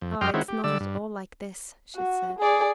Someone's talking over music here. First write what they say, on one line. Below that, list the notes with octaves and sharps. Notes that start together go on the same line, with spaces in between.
"Oh, it's not at all like this," she said.
F2
F#2 G4 D#5 G5 C6 F6
D#3 G#3 C4 C#4 E4 F#4
G4
D3 G3 D5 E6
G2
F#4
G#4 D5